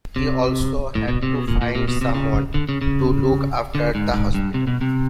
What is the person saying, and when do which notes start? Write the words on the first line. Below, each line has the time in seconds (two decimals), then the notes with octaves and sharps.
He also had to find someone to look after the Hospital.
0.16 C3
0.95 A2
1.08 B2
1.23 C3
1.35 B2
1.48 A#2
1.61 A#2
1.75 A#2
1.88 B2
2.01 C3
2.14 C#3
2.54 D3
2.69 C#3
2.81 C#3
3.75 D3
3.95 G#2
4.14 G#2
4.34 G2
4.54 C3
4.67 B2
4.81 C3